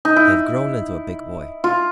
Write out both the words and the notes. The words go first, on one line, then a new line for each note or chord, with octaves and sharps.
He had grown into a big boy.
D#4
E4
F4